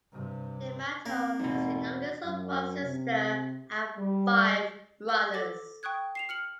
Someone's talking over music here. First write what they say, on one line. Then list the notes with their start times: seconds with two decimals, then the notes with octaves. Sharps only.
DeMato is the youngest of one sister and five brothers.
0.12 G2 C3
1.06 A#3 C4
1.39 E2 G#2 B2
2.25 F#2
2.83 C3
3.98 G3
5.09 E6
5.34 A4 D6 A6
5.83 G5 C#6 D#6 F#6 G#6
6.15 C7 E7 F7
6.29 F6 C#7 F#7